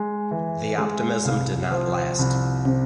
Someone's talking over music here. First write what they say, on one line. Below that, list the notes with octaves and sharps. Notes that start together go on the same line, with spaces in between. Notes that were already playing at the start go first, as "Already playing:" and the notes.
The optimism did not last.
Already playing: G#3
E3
G#3
C2 F5
F3
C2
C3